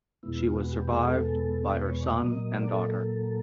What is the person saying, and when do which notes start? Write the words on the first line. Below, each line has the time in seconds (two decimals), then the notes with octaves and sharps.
She was survived by her son and daughter.
0.23 E2 B2 G#3 B3 E4
0.39 F4
0.56 F#4
0.72 G4
0.88 G#4
1.05 A4
1.70 B4
1.86 C#5
2.03 D5
2.19 A#2 F#3 A#3 D#5
2.35 D#5
2.52 D5
2.68 A4